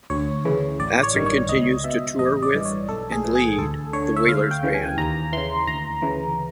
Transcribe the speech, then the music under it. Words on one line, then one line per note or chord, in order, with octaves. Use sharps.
Aston continues to tour with and lead The Wailers Band.
D2 C#5
C#3 E3
A1 D5
C#5
G2 D#3
C#5
C#2 D#5
B2 E5
A1 D#5
D5
G2 E3
C#5
B1 A4
G#4
A2 E3
G#4
D2 A4
D3 C#5
E5
D2 F5
G5
C#3 E3
G#5
D#2 A#5
C#3 E3 C6
D2 A#5
C#3 E3